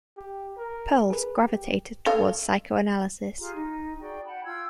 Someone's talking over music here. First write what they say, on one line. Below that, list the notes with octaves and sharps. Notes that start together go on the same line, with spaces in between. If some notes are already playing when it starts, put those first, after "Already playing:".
Perls gravitated toward psychoanalysis.
G4
A#4
G#4 A#4 B4
G4
A4 D#5 F5
F4 G4 G#4 A#5
D#4
F#4 G#4 D5 G5
F#5 G5 A5 B5
F4 G5 E6 G#6